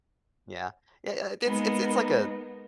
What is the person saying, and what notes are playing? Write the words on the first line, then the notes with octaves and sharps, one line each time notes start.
Yeah. Ye uh, it's it's it's like a,
G#3 A#3 B3 D#4